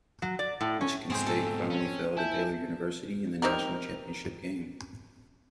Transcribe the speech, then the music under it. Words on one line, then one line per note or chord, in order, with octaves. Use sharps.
Michigan State finally fell to Baylor University in the National Championship game.
F#3
D5
A2
C#4
G#2 B2 C4 G#4 C5
A4
C#4
E4 G#5 A5 G6
C4 D#4 G4 A#4